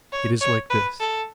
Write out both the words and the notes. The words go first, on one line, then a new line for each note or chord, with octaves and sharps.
It is like this.
C#5
C#5
B4
A4